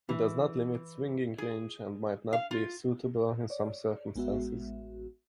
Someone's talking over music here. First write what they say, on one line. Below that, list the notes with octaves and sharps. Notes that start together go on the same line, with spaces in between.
It does not limit swinging range, and might not be suitable in some circumstances.
E3
G#4
F5
F4
C#5 D5
A1 G#3 B3 F#4 E5